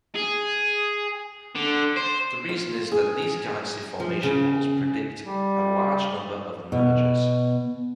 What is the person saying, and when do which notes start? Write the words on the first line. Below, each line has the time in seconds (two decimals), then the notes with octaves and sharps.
The reason is that these galaxy formation models predict a large number of mergers.
0.15 G#4
1.56 D3
1.97 C5
2.49 F4
2.92 G#4
3.22 G#4
4.00 F3
4.23 C#3
5.26 G3
6.72 B2